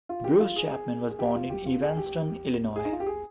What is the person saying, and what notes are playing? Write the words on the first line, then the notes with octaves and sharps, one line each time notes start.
Bruce Chapman was born in Evanston, Illinois.
F4
G4
F4
G#4
G#4
G#4
G4
F4
G4
F4
G#4
G4
G#4
D#4
F4
G4
G#4